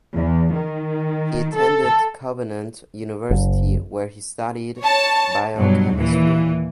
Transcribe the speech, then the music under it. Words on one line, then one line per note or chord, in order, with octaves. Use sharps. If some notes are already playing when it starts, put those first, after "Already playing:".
He attended Covenant University where he studied biochemistry.
E2
D#3
A4
F#1
C#5 A5
G2 B2 F#3
D#2 A#2 E3